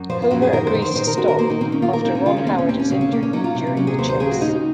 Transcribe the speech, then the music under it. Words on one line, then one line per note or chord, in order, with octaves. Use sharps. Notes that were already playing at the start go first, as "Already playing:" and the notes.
Homer agrees to stop after Ron Howard is injured during the chase.
Already playing: F#2
F3 C5
F4
F#2 F#4
G#4
D#3 A#4
C5
D#3
C5
D#3 C5
A#4
D#3 F#4
A#4
A#3 C5
D#4
D#3 C4
C#4
A#3 F4
A#4
D#3 C4
C#4
C#3 F4
C#4
D#2 C4
C#4
D#2 C4
C#4
C#3 C4
C#4
A#3
C#4
F#3 D#4
F4
C3
C4
F#3 C#4
G#4
D#2 C5
C5
C#3 G#4
F#4
D#2 D#4